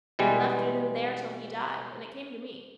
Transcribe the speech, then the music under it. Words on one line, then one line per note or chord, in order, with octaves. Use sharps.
He left it in there till he died, and it came to me.
B2 E3 G3 G#3